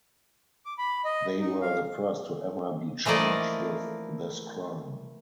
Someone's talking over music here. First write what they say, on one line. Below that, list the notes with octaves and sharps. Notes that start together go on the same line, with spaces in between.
They were the first to ever be charged with this crime.
D6
B5
D#5
D#4
F5
E3 F3 A3 A#3 D5 D#5